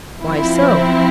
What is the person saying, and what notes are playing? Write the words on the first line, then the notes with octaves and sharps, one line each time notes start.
Why so?
F3 C4 E4